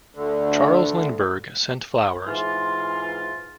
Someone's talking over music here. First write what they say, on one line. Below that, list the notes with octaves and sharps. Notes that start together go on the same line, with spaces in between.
Charles Lindbergh sent flowers.
D2 D3
G#2 E3 F4